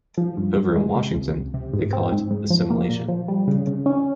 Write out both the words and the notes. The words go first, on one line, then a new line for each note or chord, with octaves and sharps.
Over in Washington, they call it Assimilation.
F3
G2
G2
G#3
C3
C#2
C#2
C3
G#2
C4
G#2
G#2
F3
A#3
A#2
F3
G3
C#3
C#3
C#4